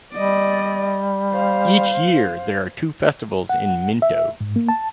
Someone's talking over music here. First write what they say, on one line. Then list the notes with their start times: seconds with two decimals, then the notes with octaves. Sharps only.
Each year there are two festivals in Minto.
0.13 G3 D5 D#5
1.30 C5 F5
3.49 F#5
4.02 E5
4.41 G#2
4.56 A#3
4.69 A5